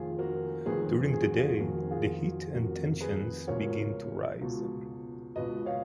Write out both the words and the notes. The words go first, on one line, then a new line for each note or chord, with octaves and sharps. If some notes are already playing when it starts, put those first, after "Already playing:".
During the day, the heat and tensions begin to rise.
Already playing: F1 F2 D#3 F4 G#4
F#4 A#4
F1 F2 D#3 G#4 B4
G#4
F#4
F4 G#4
F1 F2 D#3 F#4 A#4
F4 G#4
F#4
F1 F2 D#3 F#4 A#4
G#4 B4
C#2 B2 A#4 C#5
C#2 B2
C#2 B2 B4 D#5
C#5 F5